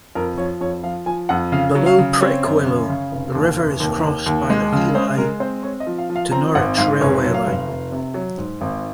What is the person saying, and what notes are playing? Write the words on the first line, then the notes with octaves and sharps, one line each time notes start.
Below Prickwillow, the river is crossed by the Ely to Norwich railway line.
F2 A#4
F3 C#5
F2 C#5
F3 F5
F3 G#5
F2 F#5
C#3 F5
F#3
F5
C#3
C4 C#5
F#2
C#3
C#3
F1
D#2
F1
D#2
D#2
D#2
G#3
C#3
G#3 C5
G#3 A#4
C4 C5
C4 C#5
D#5
F3
F5
F3
F5
C4 A#5
G#1 F#5
G#2 F5
F1 C#5
F#3
F5
F1
F1
C3
F#3
G#2
G#1